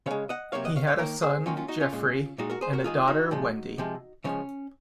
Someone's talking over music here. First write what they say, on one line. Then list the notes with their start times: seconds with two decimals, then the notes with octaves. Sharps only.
He had a son, Jeffery and a daughter, Wendy.
0.06 C#3 G#3 C#5 F5
0.29 D#5 F#5
0.52 C3 F#3 A#3 C#5 F5
0.65 D#5 F#5
0.76 C#5 F5
0.87 C#5 F5
0.98 D#3 A#3 A#4 C#5
1.22 G#4 C5
1.46 D#3 F#3 A#3 C#4 F4
1.57 C#4 F4
1.68 D#4 F#4
1.80 C#4 F4
1.93 A#2 G#3
2.38 A#2 G#3 D#4 F#4
2.50 F#4 A#4
2.61 G#4 C5
2.73 F#4 A#4
2.84 D#3 G#3 F4 G#4
3.07 D#4 F#4
3.31 A#2 F3 G#3
3.78 C3 F3 G#3
4.24 C#3 F3 G#3 C#4